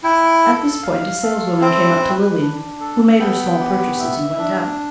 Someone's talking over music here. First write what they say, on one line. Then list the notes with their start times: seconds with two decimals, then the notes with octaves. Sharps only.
At this point a saleswoman came up to Lilian, who made her small purchases and went out.
0.03 E4 G5
0.44 A4
0.83 F5
1.22 A4
1.61 C4 E4
2.02 B4
2.41 D4
2.80 A4
3.20 B3 G5
3.60 G4
3.99 E5
4.38 D4